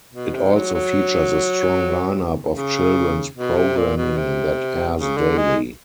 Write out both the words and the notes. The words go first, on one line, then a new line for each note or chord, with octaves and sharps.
It also features a strong lineup of children's programming that airs daily.
B2
C3
F#3
F#3
C#3
B2
C3
A#2
B2
C3
C#3
D3
G#3